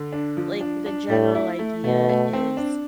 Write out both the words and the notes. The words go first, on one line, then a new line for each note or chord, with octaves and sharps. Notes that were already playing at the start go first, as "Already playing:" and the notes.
like, the general idea is
Already playing: D3
D4
F3
D4
D4
A2 A3
E4
A3
B2 A3
A3
C4
D4